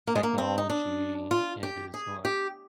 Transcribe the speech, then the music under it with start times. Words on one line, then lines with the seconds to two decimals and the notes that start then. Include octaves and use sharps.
technology is, like
0.07 A#3
0.15 G#3
0.23 A#3
0.38 C4
0.58 D#4
0.70 D4
1.31 F4
1.63 G4
1.94 G#4
2.25 G4